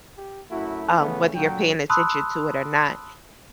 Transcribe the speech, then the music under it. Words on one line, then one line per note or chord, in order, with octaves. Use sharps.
um, whether you're paying attention to it or not.
G4
F#2 A3 E4 F#4
C#3 E3 A3 B3
A#2 D3 F#3 G5
A5 B5 C6 D#6 E6 F#6